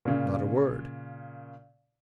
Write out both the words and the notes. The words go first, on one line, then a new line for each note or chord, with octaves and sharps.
"Not a word."
A#2 C#3